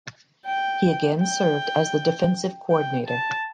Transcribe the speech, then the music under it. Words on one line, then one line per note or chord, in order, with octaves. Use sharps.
He again served as the defensive coordinator.
G5
G5
G5
A5